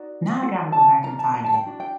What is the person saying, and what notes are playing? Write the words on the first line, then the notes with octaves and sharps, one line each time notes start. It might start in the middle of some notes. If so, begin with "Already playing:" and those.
Now I gotta go back and find it.
Already playing: D#4 F#4 A#4 D5
F#4 A4 F#5
A5
D4 G4 A#4 A#5
A5
A#5
A5
G5
D4 F#4
G5